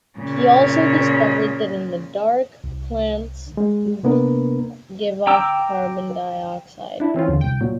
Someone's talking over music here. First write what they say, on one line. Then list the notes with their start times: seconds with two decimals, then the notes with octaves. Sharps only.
He also discovered that, in the dark, plants give off carbon dioxide.
0.19 A#2 C#3
2.64 C2
3.57 G#3
4.03 C3 A#3 B3 D4 A#4 B4
5.27 G5 A#5 D6 E6
7.00 D4 E4
7.14 E3 C4 C#4 F4
7.28 E2 D3
7.41 C2 G5
7.61 A#2 F#3